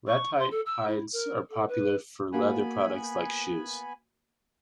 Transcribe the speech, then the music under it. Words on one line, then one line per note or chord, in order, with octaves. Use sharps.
Ratite hides are popular for leather products like shoes.
C#6
C6
A4
E6
E4
A#4
A4
B4
A#3 B3 F#4 G#5 B5